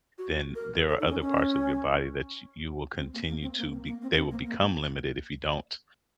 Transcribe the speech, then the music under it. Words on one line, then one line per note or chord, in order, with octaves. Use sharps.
then there are other parts of your body that ch you will continue to be they will become limited if you don't
F#4
A#4
A4
A4
D#4
C4
C#4
C#4
C4
A#3
A#3
C4
A#3
C4
A#3
C4
C4
A#3
A#3